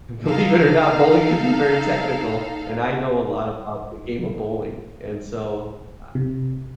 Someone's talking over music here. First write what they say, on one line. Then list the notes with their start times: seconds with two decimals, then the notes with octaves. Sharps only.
believe it or not, bowling can be very technical, and I know a lot about the game of bowling, and so ah
0.27 D#4 A4 F5
6.15 C3